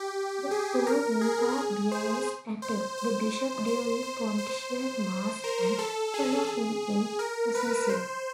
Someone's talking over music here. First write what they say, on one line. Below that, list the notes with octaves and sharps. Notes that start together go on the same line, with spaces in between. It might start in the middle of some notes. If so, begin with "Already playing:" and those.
The two vimpa-bearers attend the bishop during Pontifical Mass, and follow him in procession.
Already playing: G4
G#4
A#4
G#4
G#4
C5
C5
C5
C5
C5
C5
A#4
A4
G#4
A#4
B4
C5